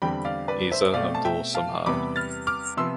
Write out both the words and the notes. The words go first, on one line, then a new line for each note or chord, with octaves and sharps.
Isa Abdul Samad.
E2 D3 G3 C4 G5 B5
D5 F5
B4 D5
C5 E5
B2 A3 C4 D5 F5
A5
E5 G5
F5 A5
E2 C3 G3 B3 B5 D6
F6 A6
D6 F6
C3 F3 B3 C6 E6